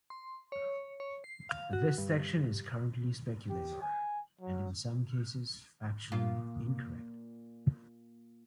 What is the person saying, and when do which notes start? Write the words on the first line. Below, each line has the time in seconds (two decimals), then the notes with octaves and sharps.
This section is currently speculative, and in some cases factually incorrect.
0.10 C6
0.52 C#5
1.00 C#5
1.24 C7
1.49 F5
1.73 F#4
1.98 G2
3.50 G4
3.82 G#5
4.41 F#3
6.12 A#2 F4